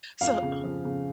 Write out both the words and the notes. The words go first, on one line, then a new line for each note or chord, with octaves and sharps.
So, oh
F2 F5
C#3
F3
C#3